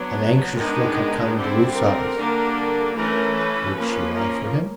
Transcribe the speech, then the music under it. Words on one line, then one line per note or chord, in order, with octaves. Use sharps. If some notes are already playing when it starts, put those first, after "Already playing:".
An anxious look had come into Rufe's eyes--would she lie for him?
Already playing: F#3 B3 D4
D#3 G#3 B3 D4 D#4
D3 G3 C4 E4
A#4
D3 G3 A#3 D4
E3 A3 C#4 A#4
B4
F3 A#3 C#4
A#4